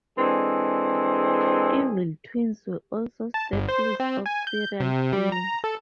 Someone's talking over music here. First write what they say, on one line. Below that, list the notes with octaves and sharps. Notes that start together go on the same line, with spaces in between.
Evil twins were also staples of serial films.
E3 G#3 C4 D4 G#4 A4
A5
G1
C5
C4
G#5
G6
C3
G3
A#5
A4